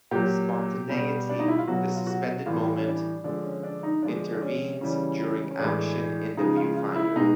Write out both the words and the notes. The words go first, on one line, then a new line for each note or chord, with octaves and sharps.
Spontaneity - the suspended moment - intervenes during action, in the viewfinder.
A#2 F#3 G4
B2 G3
D4
D#4
E4
F4
B2 F#3 F#4
F4
F#4
A2 E3 G3 F4
C#4
D4
D3 F3 G#3 D4
C#4
D4
D#4
D3 F3 G#3 D4
D4
C#4
C#3 E3 G3 C#4
C#4
A2 E3 G#3 D4
C#3 F3 G#3 D#4
F4
F4
E4
B2 G#3 D#4